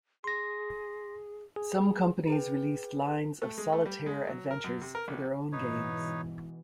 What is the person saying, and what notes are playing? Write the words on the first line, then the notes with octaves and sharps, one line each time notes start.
Some companies released lines of solitaire adventures for their own games.
G#4 C6 A#6
G#4
G#4 B4 G5
A3
G#3
A3
G3
G#3
F#3
A#4
F#2
C3
A#4
A#1
G#2 B2 E3 D#4 B4 C#5